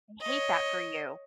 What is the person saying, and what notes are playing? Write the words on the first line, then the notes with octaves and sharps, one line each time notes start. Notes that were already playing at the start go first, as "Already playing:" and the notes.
I hate that for you.
C#5 D#5